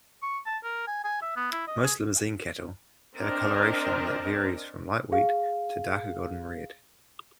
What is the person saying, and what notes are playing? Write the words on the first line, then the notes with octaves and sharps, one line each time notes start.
Most Limousin cattle have a coloration that varies from light wheat to darker golden-red.
C#6
A5
A#4
G#5
G#5
E5
B3
E4
D#5
G#4
C4 D4 A#4 D5 D#5
G#4 F5